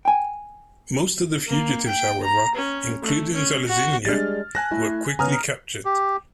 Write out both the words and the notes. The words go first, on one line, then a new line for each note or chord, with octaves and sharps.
Most of the fugitives however, including Zaliznyak, were quickly captured.
G5 G#5
A#3
G5
A#5
C#4
A3
C#4
F#4
G3 G#3 D4 F6 A6
G#5 A5 F#6 A#6
A3 E4
C#3 B3 G#5 A#5 D#6 F6
G4